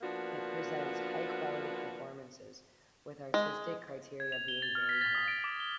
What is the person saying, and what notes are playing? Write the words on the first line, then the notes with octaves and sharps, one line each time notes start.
It presents high quality performances, with artistic criteria being very high.
F3 A#3 B3 D4 F#4
G#3
G#6
F7
G7
A6
F6
B6
A6
D#6
D7
D6
G7